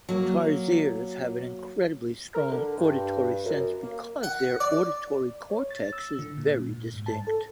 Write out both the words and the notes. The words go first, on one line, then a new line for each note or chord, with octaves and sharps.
Tarsiers have an incredibly strong auditory sense because their auditory cortex is very distinct.
F#3 A#3
A#4
D3
G2
F#2
A#3
F#5
D5
C#5
A6
E6
D3
A#2
A2
G#2
A5
A4